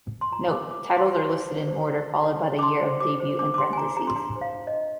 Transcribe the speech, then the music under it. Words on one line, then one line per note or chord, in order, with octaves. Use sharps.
"Note": Titles are listed in order followed by the year of debut in parentheses.
C6
F4 A#5
F4 D6
F4 D6
C5 D6
C6
A#5
C5 C6
C5
C5
C5
D#4
D#4
D#4
D#4
D6
D#4 C6
C5
G4 D6
C5
D4 D6
D6
G4 C6
G#5
D4 A#5
G4 A#5
C6
D4 A#5
C5
F5
D4
D#5
D4